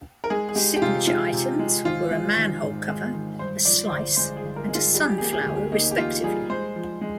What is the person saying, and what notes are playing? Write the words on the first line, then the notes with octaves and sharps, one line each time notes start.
Signature items were a manhole cover, a slice, and a sunflower respectively.
A#4
G#3 G#4
G#4
G#3 G4
G4
C3 F4
G#3 F4
C3
G#3
G#1 F4
G#3
D#3
G#2
G#3
D#3
G2 C5
F3 D5
C5
G1 D5
G#3 C5
G#4
G1
A#4
G#3
F4
G3 G4
G#4
G4
G#4
A#3 G4
G#4
G4
D2 G#4
G4
A#3 D#4
G4
A#3 F4
G3 G#4
G#3 C5
F3
G#3